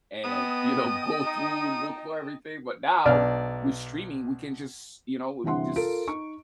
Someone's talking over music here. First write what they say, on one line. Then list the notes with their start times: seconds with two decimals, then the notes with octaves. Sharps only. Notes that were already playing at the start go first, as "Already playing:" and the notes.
and, you know, go through, look for everything, but now, with streaming, we can just, you know, w just
0.24 B3 D#5 G5 A5 D#6
1.24 D#4
3.05 B1 D4 D5 F6
5.44 G1 G2 C3 E3 F#5 C6
5.76 F4 A4 A#4 D7
6.07 D#4 C#6